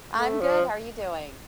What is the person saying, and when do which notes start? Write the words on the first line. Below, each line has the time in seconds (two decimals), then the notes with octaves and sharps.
I'm good, how are you doing?
0.16 A3
0.41 F3